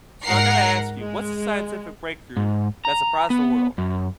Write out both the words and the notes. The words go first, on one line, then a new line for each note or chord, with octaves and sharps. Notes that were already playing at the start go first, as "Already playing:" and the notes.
So I gotta ask you, what's the scientific breakthrough that surprised the world?
G#2 A#4 F#5 A#5 C7
G#3
G#2
A#5
B3
F#2